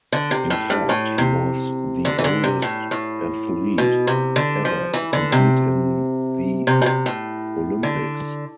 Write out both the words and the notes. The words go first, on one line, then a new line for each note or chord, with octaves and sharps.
In fact, he was the oldest athlete ever to compete in the Olympics.
D3
C3
A2
G2
A2
C3
D3
E3
D3
C3
A2
A2
B2
C3
D3
F3
E3
D3
C3
C3
B2
C3
A2
D3